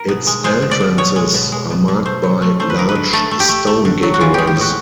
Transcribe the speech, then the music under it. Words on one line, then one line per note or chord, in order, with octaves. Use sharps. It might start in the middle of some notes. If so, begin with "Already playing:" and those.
Its entrances are marked by large stone gateways.
Already playing: A#4
B2
G#3
G#3 C5
B2
D5
B2
B2 C#5
G#3
B2
G#3
B2
B2
A3 C5
F#3
A3
A3 C5
B4
D3 A#4
B4
D3
A3 A4
A3
G4
A3
A3
D3
F#3
F#4
E3 F4
G#3 G4
G4
A2 F#4